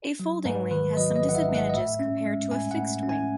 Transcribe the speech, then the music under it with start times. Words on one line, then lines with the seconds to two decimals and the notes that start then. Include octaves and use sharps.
A folding wing has some disadvantages compared to a fixed wing.
0.20 F#3
0.45 G#2 B4
0.71 D#3 B4
0.97 F#3 D#5
1.16 D#5
1.23 A1
1.29 F#5
1.35 E5
1.48 G#2
1.55 F#5
1.69 D#5
1.74 A2 E5
1.99 C#4
2.26 G#3
2.51 A2 G#5
2.71 F#5
2.77 A2
3.03 C#4
3.09 G#5